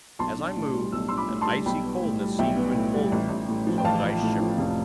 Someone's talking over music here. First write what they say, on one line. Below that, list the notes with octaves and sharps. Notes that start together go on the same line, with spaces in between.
As I moved, an icy coldness seemed to enfold me, so that I shivered.
B1 A5 C6
D4
A2
G3
B1 E6
D4 C6 E6
B5 D6
A2
A5 C6
G3
B1 G5 B5
B3
A2
G3
B1 E5 G5
B3
A2
G3
A1
A1
A2
F3
G5
A1 F5 A5
A1
A2
F3
F1